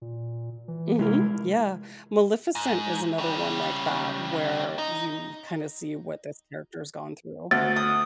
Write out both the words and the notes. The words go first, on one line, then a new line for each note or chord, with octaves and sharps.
Mhm. Yeah. Maleficent is another one like that where you kinda see what this character has gone through.
A#2
E3
C3 G#3 E4 A#4
G#2
C#3 G3
D#4
D2 A6
D#6